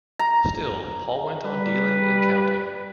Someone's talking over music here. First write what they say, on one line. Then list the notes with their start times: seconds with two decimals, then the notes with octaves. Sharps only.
Still Paul went on dealing and counting.
0.19 A#5
1.46 G3 B4